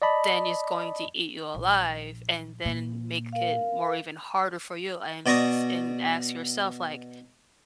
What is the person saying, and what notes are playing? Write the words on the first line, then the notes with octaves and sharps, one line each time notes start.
then it's going to eat you alive, and then, make i it more even harder for you and s and ask yourself, like,
D5 D#5 A5 B5
A#1
A#2
A#4 F5
B2 D5 D#5 A#5 C#6 D#6